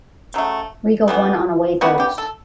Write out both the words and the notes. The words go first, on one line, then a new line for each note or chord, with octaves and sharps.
Riga won on away goals.
C#3 F#3 A3
C#3 E3 B3
C#3 G3 B3 F#4
G4
A4